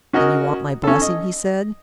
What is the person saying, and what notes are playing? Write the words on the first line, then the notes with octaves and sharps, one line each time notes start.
"And you want my blessing?" he said.
C#4 F#4 A#4 D#5
C#4 A4
D#5